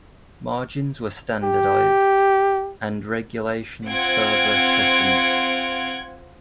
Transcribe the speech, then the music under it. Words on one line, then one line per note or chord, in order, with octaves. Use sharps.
Margins were standardized and regulations further toughened.
G4
C4 F4 F#5 G#6 D7